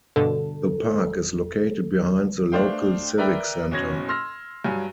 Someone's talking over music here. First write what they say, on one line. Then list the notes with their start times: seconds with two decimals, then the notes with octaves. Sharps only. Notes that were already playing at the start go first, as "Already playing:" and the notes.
The park is located behind the local Civic Center.
0.16 G2 B2 D3 A4
2.52 A3 D4 C5 F5 G5
3.18 A#4 B4 D5 E5 G5 A#5
3.71 F#1 B2 C#4 G#6 A#6
4.09 C6 E6 F6 A#6
4.64 G2 F#3 G#5